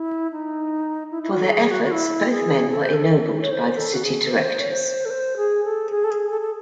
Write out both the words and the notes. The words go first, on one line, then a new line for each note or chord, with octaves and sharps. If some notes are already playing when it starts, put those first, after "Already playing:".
For their efforts, both men were ennobled by the city directors.
Already playing: E4
D#4
E4
E4
F#4
A4
G#4
F#4
F#4
E4
G#4
A4
C5
A4
C#5
C5
A4
F#4
G#4
A4
C5
C#5
C5
A4
C5
G#4
A4
G#4
A4
G#4
A4
A4